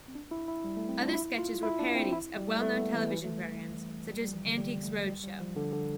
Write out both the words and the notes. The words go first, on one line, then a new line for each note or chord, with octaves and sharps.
Other sketches were parodies of well known television programs, such as "Antiques Roadshow".
C4
D4
E4
E4
G3
A3
C4
D4
F4
E4
F4
E4
D4
C4
E4
G3
A3
A3
B3
E3
E3
A3
G3
G3
G3
F3
E3
D3
G3
G3
A3
F3
G3
G3
F3
D3
D3